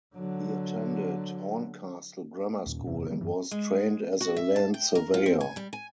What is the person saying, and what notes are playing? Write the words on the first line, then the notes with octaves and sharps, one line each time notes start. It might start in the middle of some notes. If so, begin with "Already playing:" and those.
He attended Horncastle Grammar School and was trained as a land surveyor.
D3 F#3
D#2 A#2 C#4
F#1 E2 C3
D3 F3 G3 A#3
F#2 E3
G#3
F#4
E5
A5
G5
A#4
F4
C4
G#5
G3
G#5